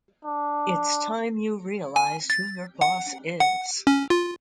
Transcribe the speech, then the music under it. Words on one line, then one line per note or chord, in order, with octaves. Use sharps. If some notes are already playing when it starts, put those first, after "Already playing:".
It’s time you realized who your boss is.
D4
G#5
A6
F#5
F#5
C#4
F4